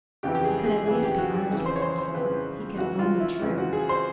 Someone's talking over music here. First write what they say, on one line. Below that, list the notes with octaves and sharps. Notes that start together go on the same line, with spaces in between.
He could at least be honest with himself, he could own the truth.
F2 C#3 E3 G4
G4
G#4
G#4
F2 C#3 E3 G#4
G4
F#4
G4
F2 C#3 E3 G#4
C5
C#5
C5
C5
F2 C#3 E3 B4
F2 C#3 E3 F#4
F4
E4
F2 C#3 E3
F#4
G#4
C5